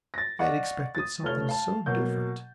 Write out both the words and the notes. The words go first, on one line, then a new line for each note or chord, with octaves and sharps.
They had expected something so different.
A6 A#6
D5 D#5 F5 F#5 C#6
D#6 A6
F1 F3 A3 C#5 F6 G7
F5 A5
B2 F#3 A#3 G6